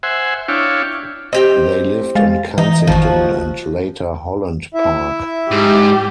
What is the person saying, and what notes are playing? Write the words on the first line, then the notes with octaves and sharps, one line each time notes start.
They lived in Kensington and later Holland Park.
C5 E5 F#5 G#5
D4 E4 C#5 F5 G5
C4 G4 D#5 G5
G#3 F5 A6
E3 D#4
G#1 D#3 F3 F#4
E4 E5
G#2 G4